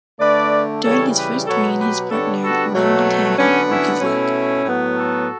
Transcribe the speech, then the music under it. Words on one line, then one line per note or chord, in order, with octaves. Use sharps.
During his first reign, his partner, Len Montana broke his leg.
D3 A3 B4 D5
C#3 E3 G3 A4 C#5
G4 B4
B2 F#3 B3 A4 C#5
G4 B4
D3 G3 B3 A4 C#5
F#4 A4
B2 F#3 A3
D3 F#3 B3 C#4
C#4 E4
B2 A3 C#4 E4
A2 F#3 B3
F#4 A4